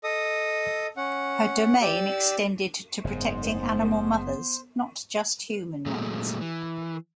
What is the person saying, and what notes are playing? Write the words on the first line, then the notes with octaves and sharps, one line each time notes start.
Her domain extended to protecting animal mothers, not just human ones.
A4 D#5 D#6
C#4 F#5
G4 D5 E6
F#1 G#2 B3 C5
A#2 F#3 G#3 A3
E3